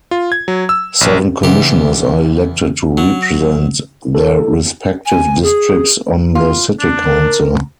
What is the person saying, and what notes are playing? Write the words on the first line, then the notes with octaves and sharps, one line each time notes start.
Seven commissioners are elected to represent their respective districts on the city council.
F4
G#6
F#3
E6
A#1
E2 C#3 G4
F#3
A4
G#5
G#4
F4
D4
A#4